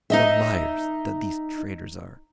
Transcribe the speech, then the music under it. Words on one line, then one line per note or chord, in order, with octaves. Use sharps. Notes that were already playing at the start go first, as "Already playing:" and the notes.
The liars that these traders are!'
D#4 D#5 E5